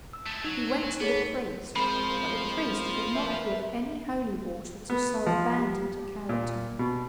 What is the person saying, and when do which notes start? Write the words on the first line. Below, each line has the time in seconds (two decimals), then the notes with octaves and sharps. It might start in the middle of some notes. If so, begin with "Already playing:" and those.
He went to the priest, but the priest could not give any holy water to so abandoned a character.
0.13 E6
0.26 G#3 A3
0.44 F#3 D#4
1.01 B3 G#4 A4 C#5
1.76 F3 G#3 C4 A#4 C5 B5
3.15 A#4 B4 E5
4.90 B3
5.26 F3
5.58 G4
6.29 A#2
6.79 B2